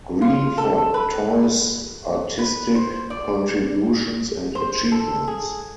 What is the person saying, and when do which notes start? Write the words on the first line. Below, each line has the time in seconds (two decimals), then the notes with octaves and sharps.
Green for Toi's artistic contributions and achievements.
0.21 F4
0.58 A4
0.94 B4
2.38 B4
2.75 C5
3.10 D5
4.55 C5
4.92 A4
5.27 G#4